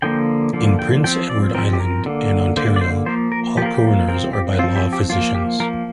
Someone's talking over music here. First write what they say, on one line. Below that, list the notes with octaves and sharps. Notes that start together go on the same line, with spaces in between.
In Prince Edward Island, and Ontario, all coroners are, by law, physicians.
D3 F3 A#3 G5
D3 F3 A#3
G5
F3 C4 G5
D5
F3 C4 A#4
G4
A#4
D3 A#3
D3 A#3 C5
D5
C5
F3 A#3 C5
A#4
F3 A#3 G4 A#4
G4
F3 C4 A#4
G4
F3 C4 F4
G4
G4
F3 A#3 F4
G4
F3 A#3 A#4